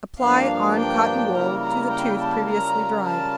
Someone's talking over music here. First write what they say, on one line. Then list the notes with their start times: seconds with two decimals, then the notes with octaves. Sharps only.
Apply on cotton wool, to the tooth, previously dried.
0.18 G2 F3 A#3 D4 F5
0.77 G5
1.34 C#3 G3 A#3 E4 A#4 A#5
1.62 A#5
1.91 G5
2.20 A5
2.49 C#3 G3 C#4 F4 A#4 A#5
3.07 A5